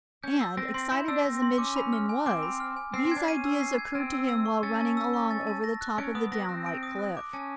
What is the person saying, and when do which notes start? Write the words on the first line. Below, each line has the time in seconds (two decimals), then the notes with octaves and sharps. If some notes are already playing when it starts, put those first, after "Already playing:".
And, excited as the midshipman was, these ideas occurred to him while running along over the top of the down-like cliff.
0.23 C#4 G6
0.40 E6
0.57 C4 A#6
0.74 C4 C6
0.92 E4 G6
1.08 D4 E6
1.25 C4 A#6
1.42 C6
1.58 C#4 D6
1.76 B5
1.93 F6
2.09 G#5
2.26 C4 D6
2.43 B5
2.60 F6
2.76 G#5
2.94 C4 C7
3.05 C4
3.11 G#6
3.16 D4
3.28 C#4 D#7
3.45 E6
3.61 C7
3.78 G#6
3.95 C4 D#7
4.12 E6
4.29 E6
4.46 C#6
4.63 C#4 A6
4.80 A5
4.97 E6
5.14 C#6
5.31 A6
5.47 A5
5.64 A#6
5.81 F#6
5.98 C#4 D7
6.15 B3 D#6
6.32 B3 A#6
6.49 C4 F#6
6.66 D7
6.83 D#6
6.99 F#6
7.17 D6
7.33 C#4 A5